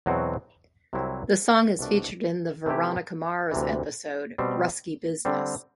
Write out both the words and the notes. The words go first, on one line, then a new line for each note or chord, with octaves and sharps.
The song is featured in the "Veronica Mars" episode "Ruskie Business".
E2 B2 F#3 C4 F#4
C2 C3 F#3 C4 E4
C2 B2 A3 D4
C3 E3 A3 E4 G4
D2 C3 E3
B2 G3 C4
D3 G3 C4